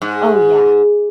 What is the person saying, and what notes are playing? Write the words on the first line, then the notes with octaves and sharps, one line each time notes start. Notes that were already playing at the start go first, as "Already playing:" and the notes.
Oh, yeah.
G#2